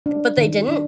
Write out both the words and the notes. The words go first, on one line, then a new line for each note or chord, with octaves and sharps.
But they didn't?
D4
D#3
D4